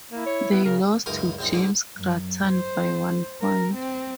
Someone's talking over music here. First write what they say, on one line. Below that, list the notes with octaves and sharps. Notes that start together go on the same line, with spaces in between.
They lost to James Grattan by one point.
A#3 E4
C#5
B3
C#3 A#4
C#2 F#2 D#4 A#4 D#6
A#1 F#2 C4 D#4 C6
G#2 B2 D3 D4
F#2
C5
A#4
C4